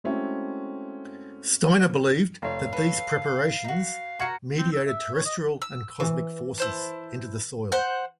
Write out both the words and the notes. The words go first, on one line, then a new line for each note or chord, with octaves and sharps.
Steiner believed that these preparations mediated terrestrial and cosmic forces into the soil.
G#3 A3 C4 C#4 E4 F#4
F1 C#5 F5
A4 B4 C#5
D#4 F#4
F#4 A#5 C#6 G#6 C#7
C4
E6
E5
C#5
D#5
E6
E3
E4 C5 A5
C5 F#5 G6